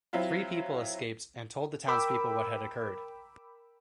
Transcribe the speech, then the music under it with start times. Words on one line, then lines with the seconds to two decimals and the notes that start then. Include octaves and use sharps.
Three people escaped and told the townspeople what had occurred.
0.13 F#3 C4 E4 F4
1.88 A#4 G5 B5 D6 E6